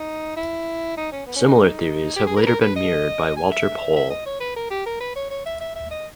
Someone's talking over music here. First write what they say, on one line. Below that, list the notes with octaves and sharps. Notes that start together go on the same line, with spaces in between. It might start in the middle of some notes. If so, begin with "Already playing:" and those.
Similar theories have later been mirrored by Walter Pohl.
Already playing: D#4
E4
D#4
C#4
B3
C#4
D#4
G4
G#4
A#4
B4
A#4
B4
D#5
G#5
E5
E5
D#5
C#5
B4
A#4
G4
A#4
B4
C#5
C#5
E5
E5
E5
D#5